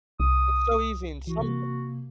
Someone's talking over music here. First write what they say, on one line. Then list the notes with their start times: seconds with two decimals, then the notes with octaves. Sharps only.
It's so easy and some
0.20 C2 D#6
1.27 E3 F#4
1.39 C3 A#3